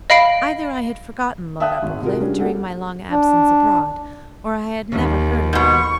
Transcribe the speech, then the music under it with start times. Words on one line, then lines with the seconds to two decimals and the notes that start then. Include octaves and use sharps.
Either I had forgotten Lord Uppercliff, during my long absence abroad, or I had never heard of him.
0.10 D#5 F5 B5 C7 D7
1.60 E5 F5 G5 A5 D#6 F#6
1.82 G#1 G#2
2.02 C3 F4 F#4 G#4 A#4
2.20 G3 C#4 D4 G#4
2.39 A#3 F#4 G#4 A4 F#5
3.11 D4
4.92 D#2
5.53 G#2 B2 C#6